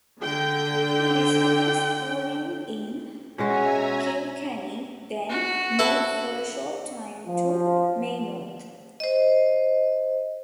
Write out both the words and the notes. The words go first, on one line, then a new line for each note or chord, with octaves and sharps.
He received his schooling in Kilkenny, then moved for a short time to Maynooth.
D3 G5
B2 G#3 C#4 F#4 E5 G#5 A#5
F#4
E4 A4
F3
C5 D#5